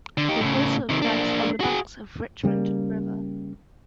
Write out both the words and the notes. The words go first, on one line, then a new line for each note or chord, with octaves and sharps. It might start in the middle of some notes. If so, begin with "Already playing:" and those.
It also lies on the banks of the Richmond River.
D3
D#4 G4
A2 C#3
C3 D#3
A#3 D4
F#4 G#4
C#3 G3 A3 A#3